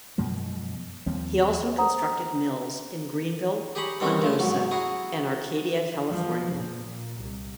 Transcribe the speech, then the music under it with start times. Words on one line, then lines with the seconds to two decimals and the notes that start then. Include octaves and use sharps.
He also constructed mills in Greenville, Pondosa, and Arcadia, California.
0.18 F#2 B2 F3 G#3
1.06 D#2 F3 G3 C4
1.78 C5 F#5 A#5 D#6
3.75 G4 G#4 G#5 A#5 B5 C#6
4.01 E2 D#3 G3 C4 C#4 D#4
4.23 F3 A3 E4
4.39 G#2 F#3
4.71 E4 F#4 G#4 G#5 A#5
6.11 F3
6.53 A#2
6.85 A#2
7.20 C2